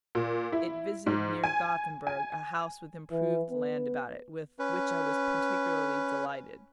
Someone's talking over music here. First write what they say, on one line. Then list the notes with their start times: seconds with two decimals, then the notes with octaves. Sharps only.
It visited, near Gothenburg, a house with improved land about it, with which I was particularly delighted.
0.15 A#2
0.52 E4
1.06 G#2
1.44 G#5
2.07 G#5
3.11 E3
3.50 B3
4.59 C#4 B4